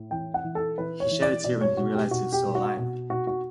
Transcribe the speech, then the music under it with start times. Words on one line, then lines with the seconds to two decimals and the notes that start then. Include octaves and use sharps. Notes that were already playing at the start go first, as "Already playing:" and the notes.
He shed a tear when he realized he was still alive.
Already playing: A2
0.11 E3 G5
0.34 F#5
0.44 E3
0.55 A4
0.78 E3 B4
1.00 C#5
1.11 E3
1.22 D5
1.44 B2 D5
1.61 C#5
1.77 B2 F#4
1.94 G4
2.11 B2 F#4
2.32 G4
2.44 B2
2.55 F#4
2.77 B2 F#4
3.10 B2 F#4
3.27 F#4